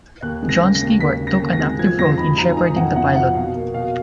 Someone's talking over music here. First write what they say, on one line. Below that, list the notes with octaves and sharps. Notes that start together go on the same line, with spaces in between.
Jon Stewart took an active role in "shepherding" the pilot.
D#2 F#6
G#3
A#6
C#3
A#6
D#2
D#2 B6
C#3
A#6
D#2
A#6
G#3
F3 G#6
F2 A#6
D#4 B5
F3 A#5
G#5
D#4 A#5
F2 F#5
F2 F#5
F3 F#5
B2 F5
A#3
B2 F5